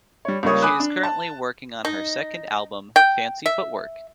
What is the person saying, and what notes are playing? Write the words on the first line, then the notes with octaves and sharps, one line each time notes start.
She is currently working on her second album, "Fancy Footwork".
G3 C#5
C#2 C#3 G3 A#3 C#5 D#6
G#5 B5 D6 D#6 F#6
D4
A5
D#4
G5
E5